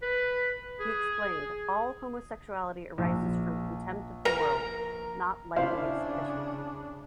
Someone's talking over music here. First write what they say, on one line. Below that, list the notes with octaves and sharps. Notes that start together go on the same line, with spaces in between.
He explained: All homosexuality arises from contempt of the world, not liking it sufficiently.
B4
G#4
A#1
A#4 A#5
C#3 D4 E4 C5 F5